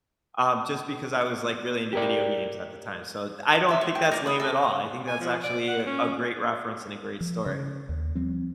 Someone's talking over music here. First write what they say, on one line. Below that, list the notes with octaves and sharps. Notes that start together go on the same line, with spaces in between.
um, just because I was, like, really into video games at the time. So d I don't think that's lame at all, I think that's actually a great reference and a great story.
G4 A#4 D5
E5 D6
C#6
G5
A#4 D5
B5 D#6
A4
G#5
F3
D5
F#5
C#4
F3
C#3
D#2
F3 G3 C4